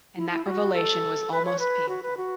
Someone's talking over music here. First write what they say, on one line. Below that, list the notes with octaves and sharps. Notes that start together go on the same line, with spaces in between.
And that revelation was almost painful.
E4
E4
F#4
A4
B4
C#5
B4
F#4
B4
F#4